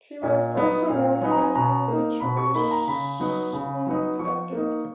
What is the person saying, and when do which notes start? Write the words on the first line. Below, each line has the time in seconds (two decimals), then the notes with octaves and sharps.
He was also known for using Situationist ideas.
0.22 A#2 D#5
0.56 F#3 B3 D#4
0.88 A#2 F5
1.21 F#3 B3 D#4 G#5
1.31 A#5
1.41 G#5
1.55 B2 A#5
1.88 A#3 D#4
2.20 B2 B5
2.37 C#6
2.54 A#3 D#4 B5
2.71 A#5
2.87 C#3 B5
3.20 F#3 B3 D#4
3.53 C#3
3.86 F#3 B3 D#4
4.19 F3 C#6
4.53 A#3 D#4